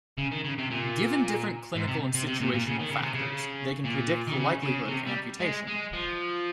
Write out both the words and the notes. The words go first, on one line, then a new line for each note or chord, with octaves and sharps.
Given different clinical and situational factors, they can predict the likelihood of amputation.
C#3
D#3
C#3
C3
A#2
G#2
C3
C3
C3
A#2
A#2
C#3
D#3
C#3
C3
C#3
A#2
D#3
C#3
C#3
C3
G3
G#3
G#3
F3